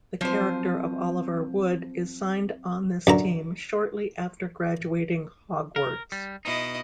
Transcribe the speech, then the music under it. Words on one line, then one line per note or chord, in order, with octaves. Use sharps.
The character of Oliver Wood is signed on this team shortly after graduating Hogwarts.
F3 F#3 C4 C5
F#2 D3 A#5
A#4
G3
B2 D#4 E4 D#5